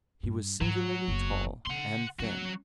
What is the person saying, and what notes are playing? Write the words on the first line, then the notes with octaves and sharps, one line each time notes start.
He was singularly tall and thin.
G2
G#2 F#3
F#1 E2
C#3 F#5 C6
F#3 C#4 F#4